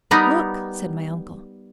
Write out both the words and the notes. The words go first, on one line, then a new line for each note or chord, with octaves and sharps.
"Look!" said my uncle.
G3 B3 D#4 A#4